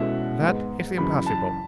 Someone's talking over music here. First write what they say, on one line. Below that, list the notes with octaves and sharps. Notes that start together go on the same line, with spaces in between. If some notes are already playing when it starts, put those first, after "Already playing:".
"That is impossible."
Already playing: B2 G#3 C#4 E4 A4 E5 F#5
G#2 G#3 B3
F#2 C#3 E3 B5
A5